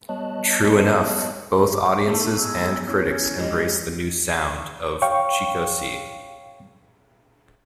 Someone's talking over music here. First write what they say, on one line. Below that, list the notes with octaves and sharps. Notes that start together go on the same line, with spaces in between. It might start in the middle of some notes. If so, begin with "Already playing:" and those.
True enough, both audiences and critics embraced the new sound of ChicoSci.
G3 B3 C#5 D#5 A5 F#6
D6
A3 B3 E4 A4 A5
G#3 E6
C#4 E4
F#3 G#3 G4 D#5
C#5 F5 G5 C#6